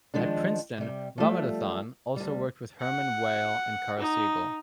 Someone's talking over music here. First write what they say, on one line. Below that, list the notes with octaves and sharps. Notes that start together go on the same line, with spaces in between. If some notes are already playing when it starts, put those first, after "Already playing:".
At Princeton, Ramanathan also worked with Hermann Weyl and Carl Siegel.
D#3 F3 G#3 D4
C3 G3
F3 G3 A3
D2 G3
F#5
D#4